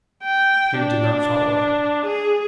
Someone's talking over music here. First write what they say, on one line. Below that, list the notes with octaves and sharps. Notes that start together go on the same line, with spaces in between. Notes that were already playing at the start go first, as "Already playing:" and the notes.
Jude did not follow her.
G5
D4
G#4